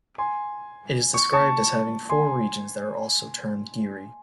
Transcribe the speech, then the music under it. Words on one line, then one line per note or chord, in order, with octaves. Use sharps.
It is described as having four regions that are also termed "gyri".
G#5 C6
C#6
A5 C#6
G#5 C6